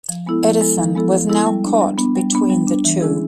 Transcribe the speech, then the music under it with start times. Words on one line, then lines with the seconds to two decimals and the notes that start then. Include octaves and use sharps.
Edison was now caught between the two.
0.09 F3
0.26 G#3 B3 E4 A4
0.43 F3
0.61 G#3 B3 E4 A4
0.78 F3
0.95 G#3 B3 E4 A4
1.13 F3
1.29 G#3 B3 E4 A4
1.47 G3
1.64 B3 D4
1.81 G3
1.98 B3 D4
2.16 G3
2.33 B3 D4
2.50 G3
2.67 B3 D4
2.85 E3
3.01 G#3 C#4 E4 G#4